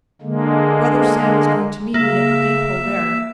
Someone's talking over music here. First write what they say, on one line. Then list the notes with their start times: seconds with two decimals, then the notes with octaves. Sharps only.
Brother Sam is going to meet me at the depot there.
0.22 D3 G#3 A#3
1.94 C#3 A#3 E5